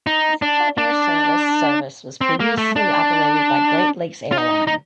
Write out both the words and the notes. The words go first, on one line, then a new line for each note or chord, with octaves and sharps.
Essential Air Service service was previously operated by Great Lakes Airlines.
D#4
D4
D4
C4
A#3
A3
D4
F4
D#4
D#4